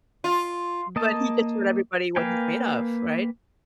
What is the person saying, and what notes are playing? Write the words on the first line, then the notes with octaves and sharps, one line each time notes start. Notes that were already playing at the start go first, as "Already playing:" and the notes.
But, he just showed everybody what he's made of, right?
F4
A#3 D#5 A5
A#3 B4 F5 G5 G#5